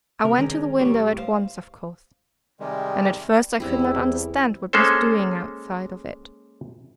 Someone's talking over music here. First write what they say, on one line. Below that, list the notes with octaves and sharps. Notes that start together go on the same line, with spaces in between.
I went to the window at once, of course; and at first I could not understand what was doing outside of it.
C3 A#4
D#3 G#3 C#4 A#4
A2 G3 G4 C#5
C5 F5
C3 D#3 G3 G#3
E2 G3 C4 E4
G#3 A#3 C#4 A4 C5